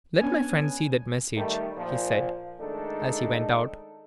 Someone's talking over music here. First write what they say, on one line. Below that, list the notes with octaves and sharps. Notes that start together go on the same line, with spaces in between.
"Let my friend see that message," he said, as he went out.
B3 C#4 D4 G#5
D#3 G3 A3
A#2 F3
D#3 G#3 A3 D4 D#4 A4